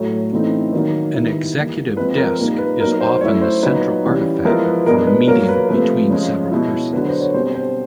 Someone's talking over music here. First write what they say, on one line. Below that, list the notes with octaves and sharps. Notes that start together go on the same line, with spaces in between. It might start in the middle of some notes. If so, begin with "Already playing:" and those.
An executive desk is often the central artifact for a meeting between several persons.
Already playing: A2 F#3 A3
C#3 E3 A3 C4 D#4
D#3 F#3 A#3 D#4
D#3 G3 B3 E4
E3 G3 A#3
F3 G#3 C4 B4
A#4
A#2 G3 A#3 D#4 A#4
B4
F#3 B3 D#4 A#4
C5
F#3 A3 C#4 E4 C#5
C5
A#2 F#3 B3 D#4 B4
C#3 E3 G3
F3 G#3 B3 E4 A#4
B4
B2 G#3 B3 D4 A#4
B4
A#2 F#3 A#3 A#4
B4
C3 F3 A3 B4
C#3 F3 G#3
B2 G#3 C#4 E4
D3 F#3 B3 D4 B4
C5
C#5
B2 G3 C4 C5
C5